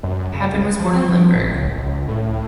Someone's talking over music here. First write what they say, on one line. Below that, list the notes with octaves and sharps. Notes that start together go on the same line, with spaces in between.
Papen was born in Limburg.
F#2
C#3
C#2
F3
C4
F3
A1
C#2
C#2
A2